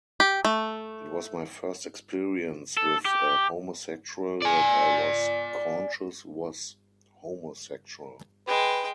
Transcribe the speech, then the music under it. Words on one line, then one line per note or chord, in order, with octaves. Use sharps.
It was my first experience with a homosexual that I was conscious was homosexual.
G4
A3
A4
G4
D5 G#5
G#3 B4 G5